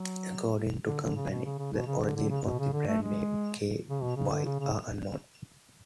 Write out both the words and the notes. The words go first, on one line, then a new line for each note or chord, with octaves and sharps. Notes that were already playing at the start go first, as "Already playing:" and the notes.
According to the company, The origins of the brand name 'K-Y' are unknown.
Already playing: F#3
D3
D3
C#3
B2
C#3
C#3
B2
C#3
D3
D3
C#3
B2
C#3
D3
A3
G#3
C#3
B2
C#3
D3
C#3
C#3